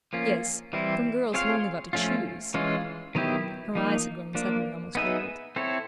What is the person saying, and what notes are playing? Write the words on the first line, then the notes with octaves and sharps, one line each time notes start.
"Yes; from girls who've only got to choose!" Her eyes had grown suddenly almost old.
F3 A#3 C#4 F4
E3 G3 C4 E4
C4 F4 G#4 C#5 F5
F3 A3 C#4 F4
E3 G#3 C#4 F4
D#3 F#3 B3 E4 G4
F3 A#3 D#4
F3 A#3 D4
B3 D#4 G#4 B4 E5
C4 E4 A4 C#5